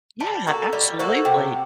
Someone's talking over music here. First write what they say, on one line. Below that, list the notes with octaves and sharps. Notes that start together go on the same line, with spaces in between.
Yeah, absolutely.
G3 A5
A#3 F#4 A4 A#5
G3 D5
A#3 F#4 A4 C5
C3 G5